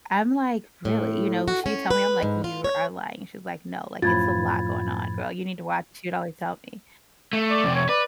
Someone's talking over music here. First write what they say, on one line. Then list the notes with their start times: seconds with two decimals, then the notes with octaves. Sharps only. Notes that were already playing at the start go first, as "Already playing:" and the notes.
I'm like, "Really?" you know, she'd tell me, I'm like, "You are lying," she's like, "No, like, it's a lot going on, girl, you need to watch," she would always tell me,
0.85 A2
1.48 F#4
1.66 C#4
1.91 B4
2.23 G#2
2.44 F4
2.64 C#5
4.02 F#2 A2 F3 F4 B5 G#6 A6
7.33 A3
7.51 D5
7.64 F2 C3
7.75 C#5
7.89 B4 D5